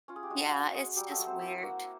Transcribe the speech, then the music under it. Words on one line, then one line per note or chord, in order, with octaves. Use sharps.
Yeah, it's just weird,
C#4 F4
G#4
G4
G#3 F#4
C#4
G#3
F#3 G3 G4
A3 A4
F#3
C4 C5
A#3 E4 E5
A#3 F#4 F#5